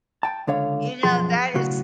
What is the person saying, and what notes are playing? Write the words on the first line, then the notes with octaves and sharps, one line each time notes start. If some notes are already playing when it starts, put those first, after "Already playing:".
You know, that is
G5 A5
C#2 D3 C#5 F5
F#2 B2 F3 G#4 C6
B1 A2 C#3 F#4